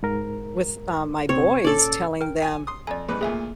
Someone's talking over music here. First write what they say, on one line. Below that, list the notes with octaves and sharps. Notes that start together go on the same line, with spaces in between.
with, um, my boys, telling them,
G#2 A#4
C3 C4 C#5
A#2 C#4 A4 D5
A#4 G5
G#5
C6 D#6
F2 D5 G#5
C2 G#2 B4
D2 A#2 G#4 E5 G#5